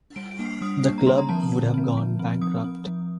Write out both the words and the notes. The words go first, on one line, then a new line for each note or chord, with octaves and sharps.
The club would have gone bankrupt.
G3 D7
D7
A#3 D4
C7
G3 D#6
A#3 D4
A#5
D3 C6
A#5
F3 C4 A5
D3
F3 C4
F3
C4
F3 D#6
C4
F3